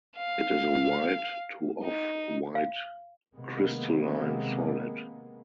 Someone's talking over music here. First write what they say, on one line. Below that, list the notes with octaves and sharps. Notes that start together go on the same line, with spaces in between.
It is a white to off-white crystalline solid.
F5
D#4
F5
C3 D#3 G#3 A#3 B3